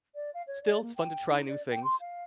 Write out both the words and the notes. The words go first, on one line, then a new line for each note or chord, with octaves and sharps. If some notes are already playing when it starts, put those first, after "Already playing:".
still, it's fun to try new things.
D5
F5
C#5
D5
A#3
G5
D#4
D5
G5
C6
F5